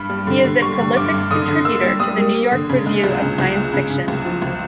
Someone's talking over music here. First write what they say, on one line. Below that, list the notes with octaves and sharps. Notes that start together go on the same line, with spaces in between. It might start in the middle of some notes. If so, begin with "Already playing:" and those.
He is a prolific contributor to the New York Review of Science Fiction.
Already playing: G2 B5
G3
D3
D3
G3 C#6
D3
G2 D6
G2
D3 D#6
D3
A#3 E6
G3
G3 D#6
A#3
A#3
D3
C#3
G#3
C#2
C#3
C#2
G#3
C#3
C#3
C#2
F3
C#2